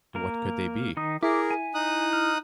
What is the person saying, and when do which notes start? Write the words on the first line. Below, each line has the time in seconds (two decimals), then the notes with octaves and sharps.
What could they be?
0.15 A#3 A#4
0.97 D#3 D#4 D#6
1.23 E4 G#4 A#4 D6
1.51 G#5
1.74 D#4 D#6 F#6
2.13 F6